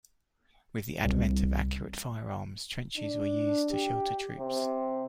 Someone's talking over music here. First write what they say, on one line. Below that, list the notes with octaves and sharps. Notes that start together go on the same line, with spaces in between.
With the advent of accurate firearms, trenches were used to shelter troops.
C2
D4
G4
C3